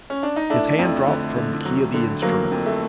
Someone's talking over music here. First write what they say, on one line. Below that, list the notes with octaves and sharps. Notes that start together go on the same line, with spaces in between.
His hand dropped from the key of the instrument.
C#4
D4
D#4
A3 D4 E4
F2
D3
D3
F#3
D3
F#3 A#3
F2
A3